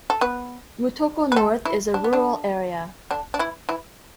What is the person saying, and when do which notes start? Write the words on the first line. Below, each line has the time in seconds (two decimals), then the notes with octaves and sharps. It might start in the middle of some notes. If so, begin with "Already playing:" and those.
Mutoko North is a rural area.
0.10 A4
0.21 B3 B4
1.32 B4
1.36 A3 A4
1.65 E3 E4
1.94 D4
2.04 B3
2.13 D3 D4
3.11 D3 D4
3.34 D4
3.39 E3 E4
3.69 E3 E4